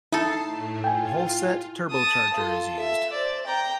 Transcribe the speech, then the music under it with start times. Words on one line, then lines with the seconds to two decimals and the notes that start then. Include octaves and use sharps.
A Holset turbocharger is used.
0.12 D#4 E4 A4 A5 C7
0.43 A2 A3
0.84 F4 G5 G#5
1.91 A5 D#6
2.35 F4 A4
2.79 E5
3.12 C5 D5
3.46 G5 A#5